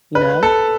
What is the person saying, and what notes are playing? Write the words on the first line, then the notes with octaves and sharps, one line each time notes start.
You know?
B4
A4